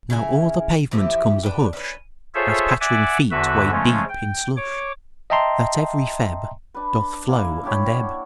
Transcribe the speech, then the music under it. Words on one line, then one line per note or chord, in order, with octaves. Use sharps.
"Now o'er the pavement comes a hush As pattering feet wade deep in slush That every Feb. Doth flow and ebb."
C#3 E4 A#4 G#5
E3 F3 G4 E5
D4 B4 G5
C#4 B4
F4 G#4 A4 C5 C#5 E5
D5 E5 F#5 G#5 D6
E2 D3 F#4 B4 E5
C#3 F3 G#3 A3 C#4
G5
C#5 D6
D#5 E5 G5 A5 A#5 C6
D4 B4
A#3 D4 E4
D4 E4 G4 C#5
G5
F#5